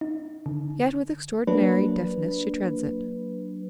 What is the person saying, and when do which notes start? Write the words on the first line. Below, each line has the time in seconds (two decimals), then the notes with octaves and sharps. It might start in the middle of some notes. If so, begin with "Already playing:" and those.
Yet with extraordinary deftness she treads it.
0.01 D#4
0.46 D3
1.47 F#3 A#3 D4 B4